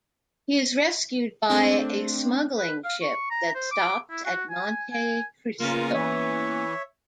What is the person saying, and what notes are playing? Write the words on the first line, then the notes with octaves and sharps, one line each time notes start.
He is rescued by a smuggling ship that stops at Monte Cristo.
A3 C4 D4
B4
F5
C#6
A#5
C5
D6
E4
F#4
G#5
G#5
C#3 A#3 B3 C#4 F4 A#4
E3 C#5 E5